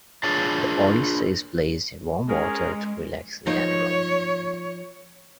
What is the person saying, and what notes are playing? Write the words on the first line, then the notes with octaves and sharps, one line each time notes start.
The oyster is placed in warm water to relax the animal.
D4 F4 G#4 C#5 A5
G#3 C#4 G#4 A#4
F3 D#4 C#5